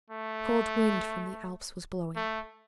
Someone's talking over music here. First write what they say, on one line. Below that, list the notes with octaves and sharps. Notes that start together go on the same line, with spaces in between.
A cold wind from the Alps was blowing.
A3
A3